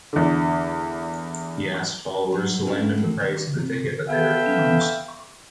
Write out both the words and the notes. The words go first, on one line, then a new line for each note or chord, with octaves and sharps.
He asked followers to lend him the price of the ticket but they refused.
E2 D3
F#3 G3
B3 C#4 D4 E4 A4 F5
A2 F#4
D#3 A#3
C3
B3 A4 E5 F5 G5